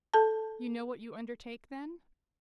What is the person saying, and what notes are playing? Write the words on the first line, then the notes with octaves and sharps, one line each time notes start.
"You know what you undertake, then?"
A4 A5